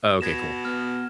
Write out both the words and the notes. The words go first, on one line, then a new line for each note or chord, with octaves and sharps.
Oh okay, cool.
B2 G#6 A#6 E7
B3 F6